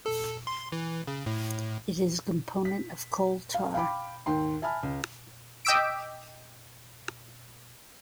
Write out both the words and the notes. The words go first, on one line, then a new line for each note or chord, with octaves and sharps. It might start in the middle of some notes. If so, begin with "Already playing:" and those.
It is a component of coal tar.
A4
C6
E3
C#3
A2
B6
F5
F5 G5 B5 D6
D#2 G#2 G5 C6
E5 G#5 A5 B5 F6
C#2
D#5 G5 D6 E6 B6 D7